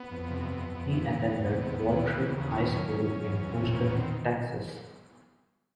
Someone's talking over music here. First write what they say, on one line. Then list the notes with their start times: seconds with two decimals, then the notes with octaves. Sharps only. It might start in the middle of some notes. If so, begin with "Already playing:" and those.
He attended Waltrip High School in Houston, Texas.
Already playing: B3
0.11 F2
0.31 C3
0.51 F2
0.71 F2
0.90 E3
1.11 E2
1.31 E2
1.50 C3
1.70 D#2
1.91 E3
2.11 C#3
2.30 D#2
2.50 D#3 C#4
2.70 F#2
2.90 F#2
3.10 F#2
3.30 E2
3.49 C3
3.60 A3
3.69 E2 A#3
3.85 D#3 B3
3.97 C4